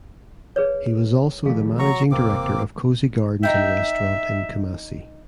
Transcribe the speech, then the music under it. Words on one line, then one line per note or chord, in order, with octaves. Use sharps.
He was also the managing director of Cozy Gardens and Restaurant in Kumasi.
G#4 B4 C#5
D#3 F3 A3 G#4 F5
F#3 A#5 C#6
E1 C3 A#3 C4 D6
D#4 E4 E5 G5